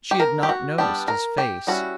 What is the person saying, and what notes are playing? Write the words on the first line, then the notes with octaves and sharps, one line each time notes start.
She had not noticed his face.
G4
A#4
G4
F#4
G3 B3 D4 G4
A#4
G4
G3 C#4 E4 F#4